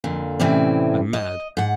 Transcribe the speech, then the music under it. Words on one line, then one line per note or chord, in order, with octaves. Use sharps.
I'm mad.
F2 A#2 D3
A2 C3 E3 C4 C#4 D5
D#5
G#2 F#5